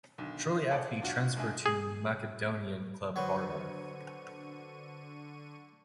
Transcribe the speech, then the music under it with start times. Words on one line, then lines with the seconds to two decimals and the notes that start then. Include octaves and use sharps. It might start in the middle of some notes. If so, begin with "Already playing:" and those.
Shortly after he transferred to Macedonian club Vardar.
0.18 B1 D3 D#3
0.71 G#4 A4 C5 D5 F#5 G5
1.02 D4 F4 F#4
1.37 G#3 D4 E5 G#5
1.66 G#4
3.16 D3 F#3 F#4 B4 C5 C#6 D#7